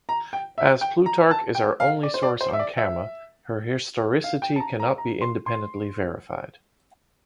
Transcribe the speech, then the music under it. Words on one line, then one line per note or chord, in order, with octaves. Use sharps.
As Plutarch is our only source on Camma, her historicity cannot be independently verified.
A#5
G5
E5
G5
A#5
A5
G5
F5
D5
C5
D5
C5
E5
D5
E5
F5
G5
A5
A#5
A#5
A#5
C6
C6